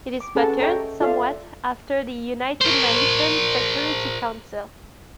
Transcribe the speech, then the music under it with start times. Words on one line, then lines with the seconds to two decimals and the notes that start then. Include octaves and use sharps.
It is patterned somewhat after the United Nations Security Council.
0.20 D6
0.35 C#4 G#4 A4 B4 F#5 A5
0.61 A4 C#5 D#5 E5 G5 A#5
1.01 F4 A4 D5 E5 F5
2.61 A#4 C5